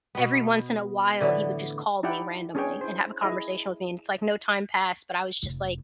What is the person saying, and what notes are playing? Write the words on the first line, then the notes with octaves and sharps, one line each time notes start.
every once in a while, he would just call me randomly and have a conversation with me, and it's like, no time passed, but I was just like,
B2 B3
A2 D3 E3 B3
D#4 E4 G4 D5 F#5 G5
C#4 D4 G#4 B4 C#5 G5
E4 C5
E4 G#4 D#5
F1